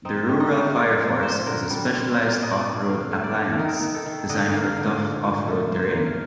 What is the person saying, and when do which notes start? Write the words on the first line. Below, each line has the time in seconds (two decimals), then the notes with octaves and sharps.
The rural fire force has a specialised off-road appliance designed for tough off-road terrain.
0.05 C4 D#4
0.29 D#3
0.40 D#4
0.52 A3
0.75 F3 F4
0.99 A#2 A4
1.23 A#2 C5
1.46 D3 A#4
1.70 G3
1.94 C4
2.10 C5
2.17 A#2 A#4
2.41 A#2 D#5
2.52 D5
2.64 A#3
2.88 D3 F5
3.11 A3
3.23 D5
3.35 A3
3.49 A4
3.59 D#3 A#4
3.82 D#3
3.95 A4
4.06 D#3
4.29 D3 D#5
4.53 A#3 F5
4.76 D3 F5
5.01 A#2
5.24 A#2
5.48 A3
5.71 A#3 C5
5.95 A#3
6.07 F5